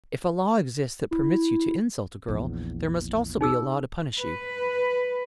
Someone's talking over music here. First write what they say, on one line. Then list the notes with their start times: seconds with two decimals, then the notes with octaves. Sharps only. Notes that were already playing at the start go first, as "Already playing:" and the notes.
If a law exists that permits you to insult a girl, there must also be a law to punish you.
1.11 E4
2.28 A#1 E2
3.41 D#4 G#4 E6
4.19 B4